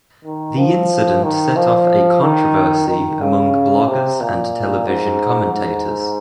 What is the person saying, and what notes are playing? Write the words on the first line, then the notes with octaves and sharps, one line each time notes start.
The incident set off a controversy among bloggers and television commentators.
D#3
F3
D#3
F3
D#3
D#3
C#3
C3
A#2
G#2
G#2